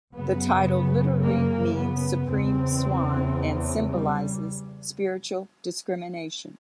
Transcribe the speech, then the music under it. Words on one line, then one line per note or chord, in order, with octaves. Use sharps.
The title literally means "supreme swan," and symbolizes spiritual discrimination.
F#2 C#3 B3
A#3
B3
E2 C#3 C4
G3